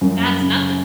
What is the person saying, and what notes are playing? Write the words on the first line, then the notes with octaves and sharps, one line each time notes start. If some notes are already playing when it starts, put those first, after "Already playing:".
That's nothing.
F#2
C#3